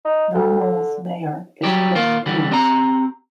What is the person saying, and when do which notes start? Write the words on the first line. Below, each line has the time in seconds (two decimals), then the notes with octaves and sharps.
Normal's mayor is Chris Koos.
0.05 D#4
0.34 D2
0.61 D3
1.63 F#3 G3 G4
1.95 D#3 A#3 F4
2.26 D3 E3 G3
2.51 C4 G4 A#5